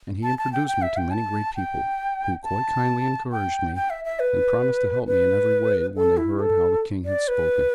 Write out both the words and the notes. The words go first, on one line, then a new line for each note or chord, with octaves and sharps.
And he introduced me to many great people, who quite kindly encouraged me, and promised to help me in every way when they heard how the King had spoken.
A5
A5
G5
G5
E5
G5
A5
G5
A5
G5
G5
E5
E5
B4
B4
A4
E4
A4
D5
B4